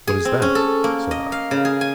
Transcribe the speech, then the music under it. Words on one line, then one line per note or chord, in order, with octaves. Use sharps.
'What is that?' said I.
G#4
C4
C#4
A4
A#3
D#5
F5
C#3
G#4
G#5